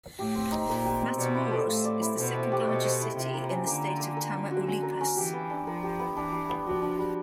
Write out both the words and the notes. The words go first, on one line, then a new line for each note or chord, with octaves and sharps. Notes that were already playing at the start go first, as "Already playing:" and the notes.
Matamoros is the second largest city in the state of Tamaulipas.
A2 G4
C4
D#4
A#2 A#4
G4
C4
B2 D5
E4
A4
A2 F5
D5
E4
B2 C5
E4
G4
B2 D#5
C5
E4
C3 F4
A#3
C#4
D3 A#3
F4
A#3
A#4
C#4
F#4
C#4
A#4
C#4
E3 G4
B3
D4
F3 A#4
G4
B3
E3 D4
G3
B3
F3 F#4
D4
G3